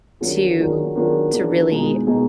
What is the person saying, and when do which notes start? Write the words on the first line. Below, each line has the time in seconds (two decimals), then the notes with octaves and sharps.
to to really
0.21 D#3 F#3 D4 F4 G#4
0.58 D#3 F#3 D4 F4 G#4
0.96 D#3 F#3 D4 F4 G#4
1.33 D#3 F#3 D4 F4 G#4
1.69 B2 G#3 D#4 G#4
2.07 B2 G#3 D#4 G#4